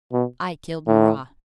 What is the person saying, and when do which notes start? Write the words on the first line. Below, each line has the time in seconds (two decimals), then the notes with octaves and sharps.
"I killed Marat!"
0.13 B2
0.87 A2